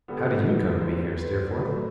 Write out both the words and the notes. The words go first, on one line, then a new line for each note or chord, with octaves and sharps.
How do YOU come to be here, Steerforth?'
D3 G3 B3 A4
B4
C5
B4
A2 F#3 A3